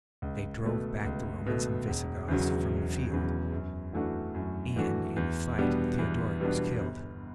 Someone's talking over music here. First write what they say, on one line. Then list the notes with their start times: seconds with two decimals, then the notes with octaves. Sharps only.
They drove back the Romans and Visigoths from the field, and in the fight Theodoric was killed.
0.22 C#2
0.64 B2 A3
1.05 C#2
1.46 B2 A3
1.87 E1
2.28 E2 C#3 F#3
2.70 E1
3.11 E2 C#3 F#3
3.52 F#2
3.93 E3 A3 D4 F#4
4.35 F#2
4.76 E3 A3 D4 F#4
5.16 E2
5.58 B2 G3 B3 D4
5.98 E2
6.40 B2 G3 B3 D4
6.81 G1